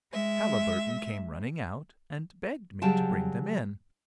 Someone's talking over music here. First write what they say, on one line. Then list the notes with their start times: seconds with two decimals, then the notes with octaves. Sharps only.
Haliburton came running out, and begged me to bring them in.
0.12 G#3 E5
2.82 C#3 F#3 G3 G5 A5